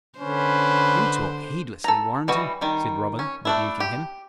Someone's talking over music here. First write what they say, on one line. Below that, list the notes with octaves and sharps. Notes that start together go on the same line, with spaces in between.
"You talk heedlessly, Warrenton," said Robin, rebuking him.
D3 C#4 D4 B4 C5
A4 A#5
E3 G3 F#4 D#5
D#3 G3
C#4
A3 D4 E4
G4